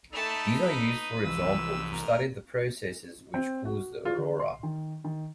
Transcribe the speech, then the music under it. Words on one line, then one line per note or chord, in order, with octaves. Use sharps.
These are used for example to study the processes which cause the aurora.
A3 D#4 A4 A5 B5
B4
C2 G#2 E3 F3 E6
A#4
C4
F#4
F4
D3
C6
D#3
D#3